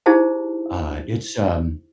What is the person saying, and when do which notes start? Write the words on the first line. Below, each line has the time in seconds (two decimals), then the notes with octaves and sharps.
uh, it's um,
0.06 D#4 E4 G4 G#4 C5 A5